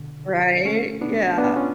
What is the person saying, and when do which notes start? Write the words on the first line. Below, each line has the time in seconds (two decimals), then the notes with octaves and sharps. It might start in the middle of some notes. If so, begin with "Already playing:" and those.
Right, yeah.
Already playing: B2 D3
0.65 A3 C#4
1.01 B3 D4
1.38 B3 D4
1.56 C#4 F4